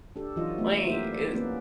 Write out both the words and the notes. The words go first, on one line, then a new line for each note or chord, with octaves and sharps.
Wait, is
D4 G4 A4
E3 F#3 D#4 F4 F#4 D#5
A3 B3 E5
A#3 E4 G4 A#4 C5 E5
D5
A#3 B3 C#4 E4 B4